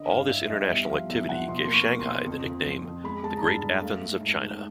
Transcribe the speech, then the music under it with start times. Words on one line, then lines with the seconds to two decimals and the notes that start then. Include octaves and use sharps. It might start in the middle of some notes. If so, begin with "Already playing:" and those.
All this international activity gave Shanghai the nickname "the Great Athens of China".
Already playing: D3 D#5
0.11 G2 F5
0.31 G2 E5
0.50 G3 D#5
0.70 E2 E5
0.89 F3 F5
1.09 E2 E5
1.28 F3 F#5
1.48 B2 C6
1.64 A#3 C6
1.74 C#6
1.88 A#3
1.99 C6
2.07 A#3
2.26 F2
2.45 F2
2.65 F3
2.84 F2
3.04 G#3 B5
3.23 G#3 A5
3.37 A#5
3.43 G2 A5
3.63 G2
3.82 A3 F5
4.01 A3
4.21 G#2
4.41 G#2